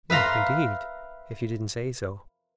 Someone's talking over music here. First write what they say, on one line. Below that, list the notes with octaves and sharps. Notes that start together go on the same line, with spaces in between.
"No, indeed, if you didn't say so."
B4 E5 F5 A#5 C6